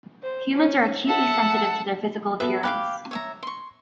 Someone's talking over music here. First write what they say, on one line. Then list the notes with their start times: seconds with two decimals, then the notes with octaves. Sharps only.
Humans are acutely sensitive to their physical appearance.
0.23 C5
0.54 C#4
1.07 A4 E5 F#5
2.40 B3 F#4 A4 B4 E5
2.63 G4 F5 B5 D6 F#6
3.11 C#5 E5 A#5
3.43 C6 C#6